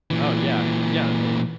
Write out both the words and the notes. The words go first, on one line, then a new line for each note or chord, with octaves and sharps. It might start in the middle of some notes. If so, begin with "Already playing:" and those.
Oh, yeah, is yeah, i
A#2 E3